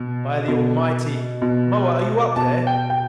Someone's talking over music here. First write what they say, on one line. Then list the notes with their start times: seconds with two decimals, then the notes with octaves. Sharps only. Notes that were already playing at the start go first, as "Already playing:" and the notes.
By the Almighty, Moa, are you up there?
Already playing: B2
0.48 B2
1.42 B2
2.36 B2 A5
2.67 G5
2.90 G5